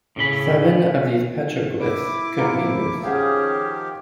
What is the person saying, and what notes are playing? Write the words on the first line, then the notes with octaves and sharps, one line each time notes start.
Seven of these petroglyphs could be moose.
A2 C#3 C#4 B5
E4 D6
B3 F4 F5 A#5 C#7
C3 F3
D#3 F3 C#4 G4 G#4 F5 F#5